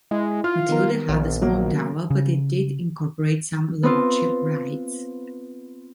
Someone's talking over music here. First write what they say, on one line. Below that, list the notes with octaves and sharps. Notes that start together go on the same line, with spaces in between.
Matilda had a small dower but it did incorporate some lordship rights.
G#3 E4
F4 F6
D#3 B3 A#4
A#1
F#3 A#3
C#3
B3 C4 F4